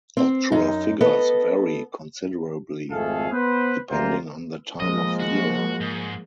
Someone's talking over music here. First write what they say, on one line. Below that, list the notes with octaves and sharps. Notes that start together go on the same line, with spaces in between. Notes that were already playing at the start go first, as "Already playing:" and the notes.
Actual figures vary considerably depending on the time of year.
C4
F#2 D#4
B3 A4 D#5
G#1 F2 A3 G#4 A4 F5
B3 B4 C5
D2 C3 A#3 F4 C5 A#5
F3 G#3 A#3 D#5
F#4
G#2